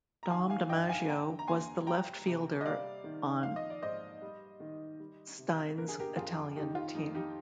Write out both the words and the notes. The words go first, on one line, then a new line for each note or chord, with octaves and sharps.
Dom DiMaggio was the left fielder on Stein's Italian team.
A#5
D#3 F5 G#5
F5 G#5
G2 D#5 G5
F5 G#5
G#5
D3 G5 A#5
A#5
D#2 G#5 C6
G3 G5 A#5
C3
D#5
G3 D5 F5
D#3
F3 F5
D#5
D5
G#2 C5 D#5
G3
D#3
G3
C3
D3 A#4
G#4
G4 A#4
F2 F4 G#4
D#3 D#4 G4
F4
F2 D#4
D#4 G4